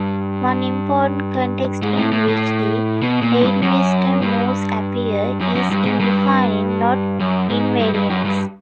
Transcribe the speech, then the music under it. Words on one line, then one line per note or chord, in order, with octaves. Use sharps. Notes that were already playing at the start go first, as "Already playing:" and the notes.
One important context in which the Reidemeister moves appear is in defining knot invariants.
Already playing: G2
G#2
A2
A2
A2
B2
A#2
G2
F#2
G2
F#2
F#2
G2
G#2
G2
F#2
G#2
G2
G2
F#2
G2